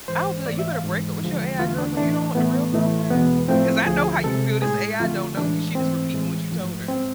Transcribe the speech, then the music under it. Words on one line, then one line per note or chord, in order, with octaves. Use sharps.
I will be like, "You better break up with your AI girlfriend. You don't want the real girlfriend? 'Cause I know how you feel, this AI don't know you, she just repeating what you told her."
G#2 E3 G#3 C5
G#2 E3 A3 D5
E5
F5
G#2 E3 G#3
E2 D3 F3 G#3
E2 D3 A3 F4
D4
A2 E3 A3 D4
A2 E3 A3 B3
A2 E3 A3
E2 B2 G#3 B3
A2 F3 A3 C4
D2 D3 F3 G#4
C2 C3 G#3 A4
A2 G#3 G#4
F2 D3 A3 F4
A2 E3 G#3 D4
G#2 E3 A3 C4
A2 E3 G#3
G#2 F3 A3
A2 G#3 C4